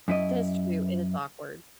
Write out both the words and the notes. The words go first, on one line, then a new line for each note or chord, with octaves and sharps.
That's true, it is awkward.
F#2 E4 D#5